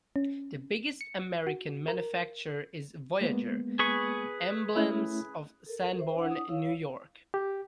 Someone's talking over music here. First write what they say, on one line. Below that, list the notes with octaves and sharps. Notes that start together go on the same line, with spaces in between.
The biggest American manufacturer is Voyager Emblems of Sanborn, New York.
C#4
C#7
F#4
A#4
G#3 A#3 B3
G#4 B4 C#6
A3 C#4 E4
A4 A#4
C5 E5
D4 E4 F#5
D#6
E4 C#5 F5
G4